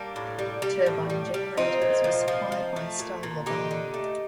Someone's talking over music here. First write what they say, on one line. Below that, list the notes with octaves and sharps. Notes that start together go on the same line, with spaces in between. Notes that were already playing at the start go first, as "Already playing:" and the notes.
Turbine generators were supplied by Stal-Laval.
Already playing: G3 A#3 D4
A2
G3
G3
A2
G3
G3
F3 C4 D#4
A#2
F3
F3
F3
A3
A#2
A#2
D3 D#4 G4
D3
A3